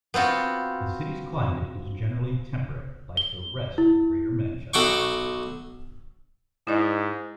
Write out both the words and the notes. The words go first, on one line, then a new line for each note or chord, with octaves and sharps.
The city's climate is generally temperate, like the rest of Greater Manchester.
B3 C4 F4 F#4
G7
E4
B1 F#4 A4 G5 C#6
G#2 E4 D5 D#5